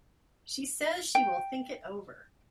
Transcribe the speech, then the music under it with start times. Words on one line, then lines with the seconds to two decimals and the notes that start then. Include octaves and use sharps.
She says she will think it over.
1.15 G5